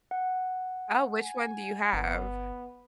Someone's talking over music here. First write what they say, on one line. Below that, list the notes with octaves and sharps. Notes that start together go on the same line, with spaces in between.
Oh, which one do you have?
F#5
G#5
G1 B3